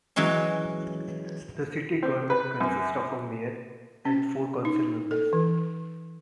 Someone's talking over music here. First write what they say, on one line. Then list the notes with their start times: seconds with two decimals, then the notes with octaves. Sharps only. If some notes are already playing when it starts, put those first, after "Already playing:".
The city government consists of a mayor and four council members.
0.16 E3 F#3 G#3 C#4
2.03 C4
2.30 B4
2.60 F#2
4.05 C#4
4.65 D#4
5.11 A4
5.33 E3